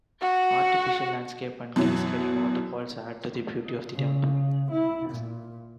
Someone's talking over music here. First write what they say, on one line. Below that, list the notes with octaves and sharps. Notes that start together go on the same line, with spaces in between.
Artificial landscape and cascading waterfalls add to the beauty of the temple.
F#4 F#5
F#2 B2 E3 F#3
C#3
E4
A#2